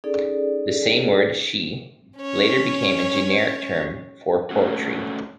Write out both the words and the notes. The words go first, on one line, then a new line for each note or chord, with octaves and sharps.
The same word "shi" later became a generic term for poetry.
C#4 D#4 G#4 A4 D5
C#4 C#5
A3 C#4 F#4